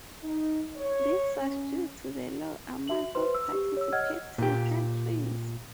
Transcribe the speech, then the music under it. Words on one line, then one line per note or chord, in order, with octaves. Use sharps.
This was due to the low amount of participating countries.
D#4
C#5
C#4
F#4 E5 F#7
B4 C5 C6
E6
G4
C#5 E6
C#5 D#5 F#5 F6 G#6
A#2 G4